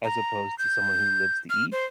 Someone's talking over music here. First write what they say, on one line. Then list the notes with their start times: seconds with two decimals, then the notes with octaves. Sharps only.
as opposed to someone who lives to eat,
0.04 A#5
0.59 G6
1.50 F6
1.72 C5